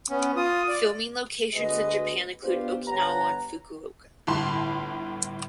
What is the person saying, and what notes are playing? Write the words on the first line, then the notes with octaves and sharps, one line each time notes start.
Filming locations in Japan include Okinawa and Fukuoka.
B3 C#4
F4 D#6
D5
D2 G#3 B3 F#4 B4 D#5
B3 D4 F4 G4 B4 C5
G1 B4 C#5 F#5 G#5 A#5
G1 A2 A5 B5 C6